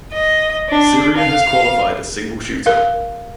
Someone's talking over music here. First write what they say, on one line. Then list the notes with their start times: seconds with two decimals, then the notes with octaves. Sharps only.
Syria has qualified a single shooter.
0.12 D#5
0.69 D4
1.18 F5
2.66 A#4 F5